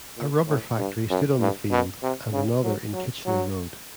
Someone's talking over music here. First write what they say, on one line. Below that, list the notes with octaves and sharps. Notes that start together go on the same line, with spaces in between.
A rubber factory stood on the field, and another in Kitchener Road.
A#2
A2
G2
F#2
G2
B2
C3
C#3
F#3
F#3
F#3